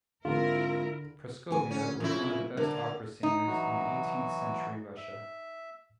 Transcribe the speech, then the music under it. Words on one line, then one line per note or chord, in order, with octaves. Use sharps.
Praskovia was one of the best opera singers in eighteenth-century Russia.
G#2 D3 A#3 C4 E4 F4 A#4
D2 G#5
C#4
F2 C#3 F3 E4
D3 A#3
D#4
E3 F#3 F#4
E5